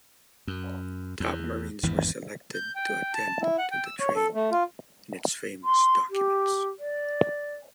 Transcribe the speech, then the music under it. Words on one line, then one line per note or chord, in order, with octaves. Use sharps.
Top Marines were selected to attend to the train and its famous documents.
F#2
E2
G#1 E2 G2 E3
G6
G5
A5
E4
F#5
G5
E6
C#5
A4
A3
F4
C6
G4
D5